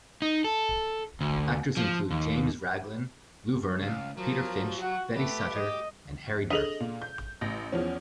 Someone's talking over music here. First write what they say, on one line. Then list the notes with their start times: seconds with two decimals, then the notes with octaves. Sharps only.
Actors included James Raglan, Lou Vernon, Peter Finch, Betty Suttor and Harry Dearth.
0.22 D#4
0.44 A4
1.21 D2
1.77 F3
2.11 D#2
3.82 C#2 F5
4.17 F3 F#3 A#4
4.81 F#4 F#5
5.16 A3 G4 B4
5.54 D#5
6.50 D4 G#4 A4 D#5 F7 F#7
6.80 A#2
7.02 G6
7.41 A1 A#6
7.72 E2 F3 C#4